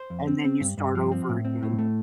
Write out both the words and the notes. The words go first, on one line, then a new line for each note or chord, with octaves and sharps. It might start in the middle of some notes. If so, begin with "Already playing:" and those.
and then you start over again.
Already playing: C5
F2
C4
C4
G2
G2
F3
C4
A2
C4
A2
A3